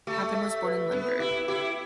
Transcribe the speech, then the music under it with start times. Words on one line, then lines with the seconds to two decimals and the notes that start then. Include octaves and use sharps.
Papen was born in Limburg.
0.07 A3 G4
0.35 E5
0.64 B4
0.91 B3 B4
1.20 E4 G4
1.48 E4 G4